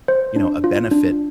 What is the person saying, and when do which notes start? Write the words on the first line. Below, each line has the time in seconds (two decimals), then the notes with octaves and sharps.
you know, a benefit
0.08 C5
0.36 D4
0.64 F4
0.91 D4